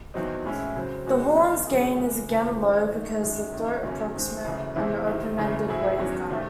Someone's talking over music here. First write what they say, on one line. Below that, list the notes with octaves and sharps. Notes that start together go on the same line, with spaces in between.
The horn's gain is again low because the throat approximates an open-ended waveguide.
E2 D#3 F#3 C4 D#4
A2 G#3 C#4 E4
C#3 F#3 C4
C#3 G#3 D#4 F#4
E2 D#3 A3 D#4
C#3 F#3 A3 C#4 G#4
C#3 E3 G#3
C#2 C#3 E3 C4
F#2 D#3 G#3 C4 D#4
G#2 D#3 A3 D#4
F#2 D#3 G#3
F#2 D#3 A3 D#4
E2 C#3 F#3 C#4
D#3 G#3 C4
F#2 C#3 E3 A3
E2 C3 E3 C4 E4
C2 C3 D#3
F#2 C#3 E3 A3
A2 F#3 C4 E4 G#4
E2 D#3 F#3 C#4
C3 D#3 A3